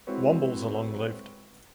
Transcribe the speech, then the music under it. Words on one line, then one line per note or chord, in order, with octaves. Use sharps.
Wombles are long-lived.
G#3 C4 E4 F#4 B4 C#5